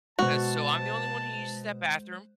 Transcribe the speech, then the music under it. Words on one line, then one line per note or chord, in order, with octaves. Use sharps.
'cause so I'm the only one who uses that bathroom,
B2 G#3 F#4 C5 A5 F#6 F7